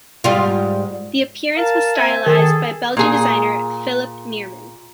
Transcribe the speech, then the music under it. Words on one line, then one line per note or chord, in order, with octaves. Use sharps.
The appearance was stylised by Belgian designer Philippe Neerman.
G#2 G3 F4
A#4 F5 A5
C4 E5 G#5
D#3 G#4 A4
A#2 G#4